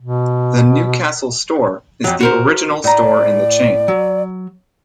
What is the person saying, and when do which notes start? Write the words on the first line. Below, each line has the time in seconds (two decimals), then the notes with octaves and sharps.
The Newcastle store is the original store in the chain.
0.01 B2
2.04 F2 F#3
2.21 F#4 A#4 C5
2.84 A2 D5 A#5
3.88 F#3